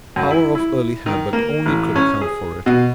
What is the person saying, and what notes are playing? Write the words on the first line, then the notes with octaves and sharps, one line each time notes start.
The power of early habit only could account for it.
F#2
E4
E4
D#3
A#3
A1
C#4
G#4
B2